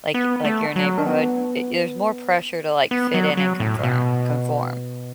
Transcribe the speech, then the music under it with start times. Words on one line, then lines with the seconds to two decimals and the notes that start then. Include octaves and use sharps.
like like your neighborhood, i there's more pressure to, like, fit in and confir conform.
0.14 B3
0.45 A3
0.76 F#3
0.98 D4
1.06 B3
2.91 B3
3.14 F#3
3.37 F#3
3.60 A2
3.83 B2